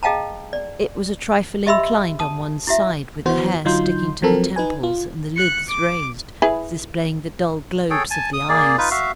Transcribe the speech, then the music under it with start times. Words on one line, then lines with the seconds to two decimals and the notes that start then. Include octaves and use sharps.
It was a trifle inclined on one side, with the hair sticking to the temples, and the lids raised, displaying the dull globes of the eyes.
0.03 G#4 D#5 F5 G5 A5 A#5
0.53 D5
1.66 G4 D#5 E5 B5 C6 E6
2.19 A5 D#6
2.67 E4 F#4 E5
3.26 E3 B3 F#4 C5
3.65 D3 F#3 D#4 F4 C6 G6
4.22 F3 F#3 C4 A4 A#4
4.56 D#4 B4 G#5
4.83 F4
5.36 F#6 C#7
5.69 D6
6.42 E4 G#4 B4
7.90 G#4 A4 C#5 G5
8.10 G#5 A5
8.33 D#6
8.49 A#3 G#4 D5
8.78 D#4 F4 B4
8.91 F#4 E5 F5